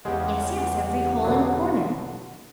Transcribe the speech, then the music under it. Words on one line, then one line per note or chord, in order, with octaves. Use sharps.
"Yes, yes, every hole and corner."
E2 C#3 G#3 G4 F#5
B2 D3 F#3